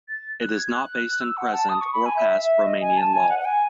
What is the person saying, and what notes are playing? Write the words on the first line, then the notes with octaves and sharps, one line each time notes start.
It is not based in present or past Romanian law.
A6
F#6
G#6
F#6
F#6
E6
F#5
A5
D#6
C#6
B5
G#5
E5
E5
D#5
G#5
A5
G#5
F#5
F#5
G#5